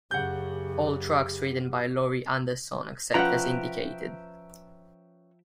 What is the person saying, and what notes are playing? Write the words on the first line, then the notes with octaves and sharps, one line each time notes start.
All tracks written by Laurie Anderson except as indicated.
F#2 C#3 G4 F#5 G6
F3 C#4 B4 E5 F#5 G5 A#5